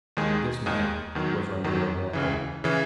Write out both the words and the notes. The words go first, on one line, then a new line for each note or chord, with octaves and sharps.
This man was Ramiro d'Orco.
D#2 D#3 G#3 D#4 G#4
D#2 D#3 G#3 D#4 G#4
E2 D#3 F#3
E2 D#3 F#3
C#2 C#3 E3
C#3 E3